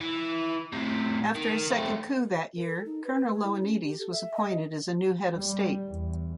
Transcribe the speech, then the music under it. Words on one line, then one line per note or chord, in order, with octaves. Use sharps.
After a second coup that year, Colonel Ioannides was appointed as the new head-of-state.
E3
A2 C3
D#3
A3 C4
A#4
A4
D#4
B4
B4
G#4
E4
C#4
G4
A4
E5
D#5
G3
E2